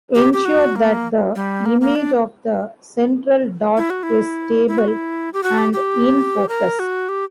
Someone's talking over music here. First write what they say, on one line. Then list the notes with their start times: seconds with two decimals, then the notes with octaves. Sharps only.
Ensure that the image of the central dot is stable and in focus.
0.15 G4
0.33 G4
0.45 F#4
0.76 A#3
1.35 G3
1.66 A#3
1.81 A#3
1.95 D4
3.77 E4
3.90 F#4
4.03 E4
4.68 E4
4.78 F#4
4.88 E4
5.33 G4
5.43 F#4
5.58 G4
5.73 G4
6.49 A#4
6.79 F#4
7.09 G4